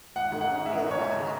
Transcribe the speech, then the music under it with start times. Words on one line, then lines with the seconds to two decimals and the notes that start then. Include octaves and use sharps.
make you feel bad
0.16 G#1 F#5
0.32 G#2
0.41 F#5
0.49 C#4
0.65 G#3 E5
0.82 G#1
0.91 C#5
0.99 G#2
1.16 C#3